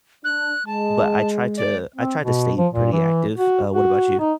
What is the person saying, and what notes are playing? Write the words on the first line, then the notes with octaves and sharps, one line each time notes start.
but I try to I try to stay pretty active. Uh, what about you?
D4 F#6
G#3 A5
D5
C4
B2
F3
A#2
E3
F#4
F#4
D#4